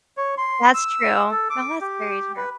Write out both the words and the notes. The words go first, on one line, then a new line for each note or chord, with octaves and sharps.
That's true. No, that's very true.
C#5
C6
E6
A4
D6
G4
B4